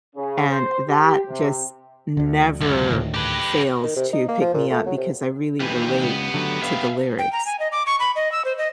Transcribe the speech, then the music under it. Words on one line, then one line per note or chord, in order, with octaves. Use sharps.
and that just never fails to pick me up because I really relate to the lyrics.
C#3
C5
G4
C3
D2 D3
C#2 F#2
D2 A2 D#3
G4 B4
D#3
C3
D#4
A#3
F3
A#2
A3
F#3
C3
D#2 E3 G4 B4
C#2 B3
D3 F#3 A3
B3 E5 F5
G5
A#5
G#5
D#5
D6
C#6
B5
D#5
E6
C5
D#5